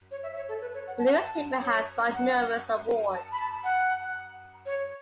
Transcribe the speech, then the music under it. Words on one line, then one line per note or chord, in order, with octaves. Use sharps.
The newspaper has won numerous awards.
C#5
E5
C#5
A4
B4
C#5
F#5
A5
F#5
A5
C#5
F#5
A5
B5
A5
F#5
C#5